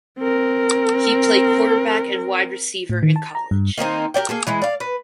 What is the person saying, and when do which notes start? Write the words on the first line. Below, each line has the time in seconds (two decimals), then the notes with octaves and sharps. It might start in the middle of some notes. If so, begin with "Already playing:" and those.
He played quarterback and wide receiver in college.
0.19 C4 A#4
2.90 A2
3.03 D#3
3.16 A5
3.35 A#5
3.51 G2
3.78 D#3 A#3 C4 D#4
4.14 G4 A#4 D5 G5
4.29 A#3 G#4 A4
4.47 E3 G#3 E4
4.62 D5 F5
4.80 B4